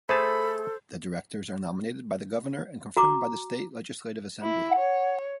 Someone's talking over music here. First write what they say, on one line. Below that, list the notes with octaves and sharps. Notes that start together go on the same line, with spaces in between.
The directors are nominated by the Governor and confirmed by the state legislative assembly.
A3 G#4 A4 C5 A5 B5
F#4 A#5 D6
E4
C#5